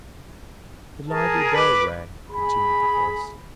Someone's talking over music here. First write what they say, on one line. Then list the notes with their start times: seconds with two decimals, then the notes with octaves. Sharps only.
"The library bell rang," continued the voice.
1.07 G#4 A#4 A5
1.53 B4 D6
2.29 G#4 B5